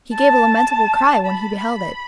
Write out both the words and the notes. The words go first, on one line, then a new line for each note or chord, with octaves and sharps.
He gave a lamentable cry when he beheld it.
A5
B5